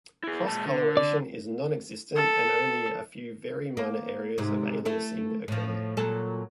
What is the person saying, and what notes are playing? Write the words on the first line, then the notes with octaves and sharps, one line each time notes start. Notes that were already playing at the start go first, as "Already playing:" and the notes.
Cross coloration is non-existent and only a few very minor areas of aliasing occur.
E4 G#4
A#2 G#3 A5
D3
D5
A4
A#3
G#2 C3
A3 E4 A4
A2 F3
A#2 F#3 A4